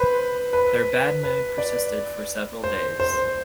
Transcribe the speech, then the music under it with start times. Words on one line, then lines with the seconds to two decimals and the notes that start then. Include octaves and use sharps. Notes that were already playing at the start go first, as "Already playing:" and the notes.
Their bad mood persisted for several days.
Already playing: B4 C5
0.53 B4
1.23 B4
1.58 D5
2.64 C5
3.00 C5